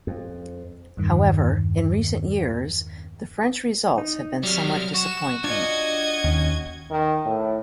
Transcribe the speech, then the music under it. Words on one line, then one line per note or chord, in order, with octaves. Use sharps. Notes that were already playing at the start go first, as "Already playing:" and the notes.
However, in recent years, the French results have been somewhat disappointing.
F2
E2 G2 D#3
D#4
C3 F#3 G3 F6
F#4 E7
D4 F4 D#5 G#6
D#2 D#3 C#4
D#3
A2